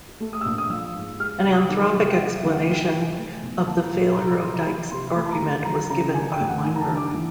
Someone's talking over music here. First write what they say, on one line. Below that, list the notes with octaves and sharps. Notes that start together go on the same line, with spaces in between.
An anthropic explanation of the failure of Dicke's argument was given by Weinberg.
A3
D#6
E6
A#1 D#6
D#6
F3 E6
G#2
G#3 F6
C2
D#6
D#3 D6
C6
C3 C#6
G5
F#3 F#5
E5
D2 F5
F#5
D#3 G5
G5
C3
G#5
A3
B1
F3 A5
A#5
A#2
C2 A#5
B5
C2 C6
A#5
F3 B5
C3 C6
A3 B5
A5
A#5
D#2
F#3 A#5
C#3 A#5
G3 G#5
G5
A1
F#5
D#3 G#5
A#5
A5
G2
D6
E3